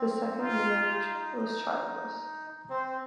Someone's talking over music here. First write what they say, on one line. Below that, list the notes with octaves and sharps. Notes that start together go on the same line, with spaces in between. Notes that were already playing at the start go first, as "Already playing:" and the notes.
The second marriage was childless.
Already playing: C4
D#4 F4
C4 C5